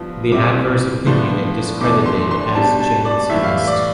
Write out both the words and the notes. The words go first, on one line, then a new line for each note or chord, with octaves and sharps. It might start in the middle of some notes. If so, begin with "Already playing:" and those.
The adverse opinion it discredited as Jansenist.
Already playing: G2 F3 B3 E4
C3 G3 C4 E4 D6
A2 F3 B3 D4 C6
E2 B2 A3 D4 D6
C6
C6
B2 G3 D4 A5
A5
D5
A2 E3 G3 E5
F5
E5
D5